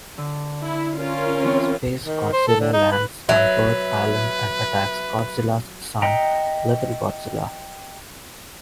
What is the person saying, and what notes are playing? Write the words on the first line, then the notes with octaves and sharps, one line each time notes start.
SpaceGodzilla lands on Birth Island and attacks Godzilla's son, Little Godzilla.
D3
E4
C#4 F4 A#4
E3 C4 C#5
D#3
C5
A4
D3
D#4
B4
F#3 B4 E5
D#5 E5 F#5 G5 A#5